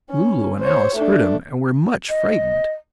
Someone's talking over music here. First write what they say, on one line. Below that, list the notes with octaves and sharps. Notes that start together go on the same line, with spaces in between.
Lulu and Alice heard him, and were much frightened.
C#4
C5 C#5
A3 D4
D#5